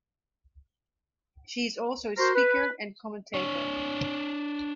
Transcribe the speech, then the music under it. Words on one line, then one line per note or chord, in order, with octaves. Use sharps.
She is also a speaker and commentator.
F#4 A#4 C5
B4
D4 C#5